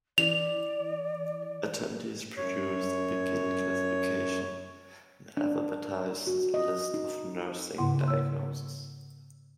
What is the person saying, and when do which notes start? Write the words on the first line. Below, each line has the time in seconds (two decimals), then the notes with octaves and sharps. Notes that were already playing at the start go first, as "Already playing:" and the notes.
Attendees produced a beginning classification, an alphabetized list of nursing diagnoses.
0.18 E3 D5 F7
2.37 F#2 C#5
5.37 D4
6.27 F#4
6.54 D#5
6.94 D#4
7.78 G#2 C#3 A#3 E4 F#5 C6
8.08 A#4 C#5 E6